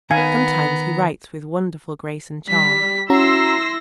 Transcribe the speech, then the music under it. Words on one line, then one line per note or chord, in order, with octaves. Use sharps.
Sometimes he writes with wonderful grace and charm.
D#3 B3 F5 G#5 A#5
G3 B6
C#4 E4 F#4 A#5 C6 E6 A#6 C7